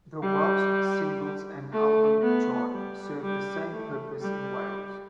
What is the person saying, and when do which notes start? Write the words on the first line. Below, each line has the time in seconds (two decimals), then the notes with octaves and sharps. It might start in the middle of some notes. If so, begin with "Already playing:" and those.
The Welsh Singles and Album Chart served the same purpose in Wales.
0.23 G3
1.73 A3
2.22 B3
2.72 G3
3.22 G3
3.72 A3
4.21 G3